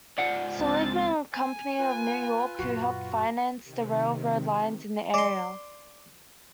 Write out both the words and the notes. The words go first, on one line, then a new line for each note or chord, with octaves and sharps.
Seligman Company of New York, who helped finance the railroad lines in the area.
G#2 F3 D5 F#5
C#2 C4 A6
G#5
F4 B4
F#2 A#2 F#4
C3 D#3
D5 C6